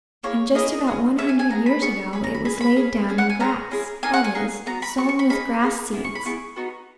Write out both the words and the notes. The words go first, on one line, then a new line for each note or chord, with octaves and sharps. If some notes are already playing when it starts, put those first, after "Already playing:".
And just about one hundred years ago it was laid down in grass; that is, sown with grass seeds.
A#3 E4 G#4 C#5
A#3 E4 G#4 D#5
C#4 G#4
C#4 G#4 E5
G#5
G#5
B3 E4 G#4 A#5
B5
B3 E4 G#4 C#6
C#4 G#4 B5
A#5
B5
C#4 G#4 B5
B5
C#4 G#4
C#4 G#4
F#5
G#5
C#4 E4 G#4 A#5
C#4 E4 G#4
A#3 D#4 G#4 G#5
F#5
G#5
A#3 D#4 G#4
B3 F#4 A#5
B5
B3 F#4 C#6
C#6
B5
A#3 D#4 G#4 B5
A#3 D#4 G#4
B3 E4 G#4
C#6
B5
B3 E4 G#4 C#6
B3 D#4 F#4